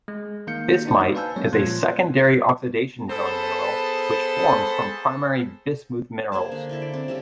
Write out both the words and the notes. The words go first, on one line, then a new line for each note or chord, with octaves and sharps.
Bismite is a secondary oxidation zone mineral which forms from primary bismuth minerals.
G#3
D#3 A#3 F5 G6 C#7
D4 D#4 F#4 C5 D5
B4 F5 G#5 A5 E6 G6
F#3 G#3 A#3 C#4 C#5
A#2 F3 F4 C6 F#6 G#6
B3 G#4 A4 C5 A5 B5
A#3 G#4 C5 A5
D3
D3 E4 A4
D5
C4
C#3 G3 A4